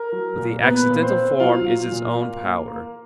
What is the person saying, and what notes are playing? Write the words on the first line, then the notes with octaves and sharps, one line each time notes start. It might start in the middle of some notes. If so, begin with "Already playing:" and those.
But the accidental form is its own power.
Already playing: A#4
F#3
A#2
A#2 B3 B4
A#2
C4 C5
A#3
F#3 F4 F5
F#3
A#2
A#3
A#3
A#3